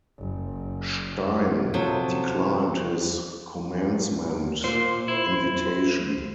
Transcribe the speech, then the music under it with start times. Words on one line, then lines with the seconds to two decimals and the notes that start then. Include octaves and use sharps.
Stein declined his commencement invitation.
0.18 F#1
1.74 C3 F3 F#3 A4
4.64 A#2 C5
5.08 E4